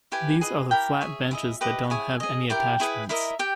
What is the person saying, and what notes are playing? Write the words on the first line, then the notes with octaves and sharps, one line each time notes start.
These are the flat benches that don't have any attachments.
E4 G4 B4 G#5
G#4 B4 D#5
E4 G4 A#4 G5
G#4 C#5 E5
E4 G#4 D#5 E5
G4 B4 D#5
E4 G#4 C#5 G#5
G#4 D#5
E4 G4 A#4 G5
E4 G#4 B4
E4 A#4 D#5 E5
G4 G5